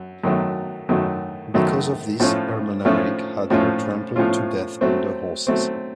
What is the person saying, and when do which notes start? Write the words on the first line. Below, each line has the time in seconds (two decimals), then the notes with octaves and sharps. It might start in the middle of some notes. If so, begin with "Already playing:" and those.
Because of this Ermanaric had her trampled to death under horses.
Already playing: F#2
0.24 F#2 D#3 F#3 A3
0.89 F#2 D#3 F#3 A3
1.54 F#2 D#3 F#3 A3
2.20 A2 F3 A3 C#4 F4
2.85 A2 F3 A3 C#4 F4
3.50 A2 F3 A3 C#4 F4
4.16 A2 F3 A3 C#4 F4
4.81 F#3 A3 C4
5.47 F#3 A3 C4